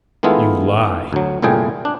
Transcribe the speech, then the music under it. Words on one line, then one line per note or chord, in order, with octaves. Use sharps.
"You lie!"
D#3 G#3 A3 B3 E4 F4
D2 F#3
G1 C2 A#2 A3 G#4 G5
D4